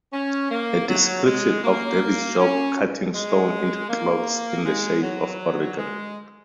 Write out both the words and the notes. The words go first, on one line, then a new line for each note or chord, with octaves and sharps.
A description of David's job cutting stone into clocks in the shape of Oregon.
C#4
A#3
F#3
G#3
A#3
C#4
G#3
A#3
G#3
F#3
G#3